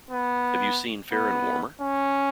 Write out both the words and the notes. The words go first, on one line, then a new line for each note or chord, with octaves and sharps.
Have you seen "Fair and Warmer"?
B3
B3
C#4